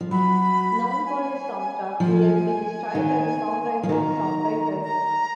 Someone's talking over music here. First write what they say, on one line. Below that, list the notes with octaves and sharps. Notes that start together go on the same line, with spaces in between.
Known for his songcraft, he has been described as a "songwriter's songwriter".
F3
F#3 B5
G#5
F3 G#5
D#3
F3 G#5
D#3 A#5
A#5